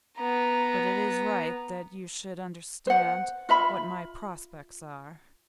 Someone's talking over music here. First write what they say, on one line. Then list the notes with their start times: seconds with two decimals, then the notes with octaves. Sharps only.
But it is right that you should understand what my prospects are.
0.18 B3 A#5
2.87 C5 F#5
3.49 F4 E5 B5